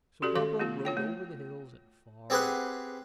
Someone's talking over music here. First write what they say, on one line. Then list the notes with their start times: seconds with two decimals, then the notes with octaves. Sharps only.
So Bobo rode over the hills and far away.
0.22 C#4 F#4 G4 A4 D5
0.35 D#3 A4 F5 C6 D6
0.59 A3 B3 F4
0.85 F4 C#5 G5
0.97 A3
2.30 C4 G4 G#4 B4 F#5